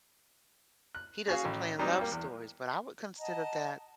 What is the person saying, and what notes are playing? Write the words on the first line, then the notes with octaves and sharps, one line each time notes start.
he doesn't play in love stories, but I would consider that
F#6
C#4 F#4 G#4 F5
A1
F#3 G3 C4 D#4
G3 A#3
E2
D#5 F#5 A5 A#5